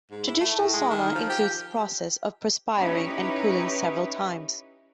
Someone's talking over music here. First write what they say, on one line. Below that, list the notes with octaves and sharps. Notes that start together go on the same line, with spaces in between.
Traditional sauna includes the process of perspiring and cooling several times.
G#2
E4
A3
A2
G#3
D#3
F3
G4
C#4 D#4 E4 G4 B4 C#5